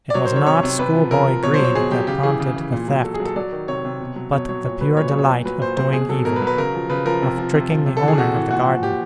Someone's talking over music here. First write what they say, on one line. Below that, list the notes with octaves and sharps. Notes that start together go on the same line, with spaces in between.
It was not schoolboy greed that prompted the theft, but the pure delight of doing evil, of tricking the owner of the garden.
D5
F#3 C#5
C5
D#3
C#5
C3 C#5
C3
C3 B4
F3
C3 A#4
F3
B2 C#5
C5
F#3
C#5
B2 G#4
F#3 G4
C#3 G4
E3 G#4
C#3
E3
A#2
F#3
A#2 A4
G#4
F#3
A4
F#3 D5
D#3
C3 C#5
C3
B2
F#3
B2 C#5
F#3 C#5
A#2 C#5
F#3 B4
A#2 C#5
C#5
F#3
C#5
A#2
F#3 B4
A#2 C5
F#3 C5
B2 G#4
F#3 A4
B2 A#4
B4
F#3
B4
C#3 A#4
F3
C#3 B4
F3 A#4
C3
F3
C3
F3
C3
A4
E3
G#4
C3 F#4
E3
A#2 F#4
F3
A#2 G4